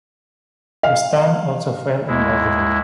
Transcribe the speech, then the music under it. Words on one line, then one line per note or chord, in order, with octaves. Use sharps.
Rustam also fell in love with her.
F5
D#2 G#3 E4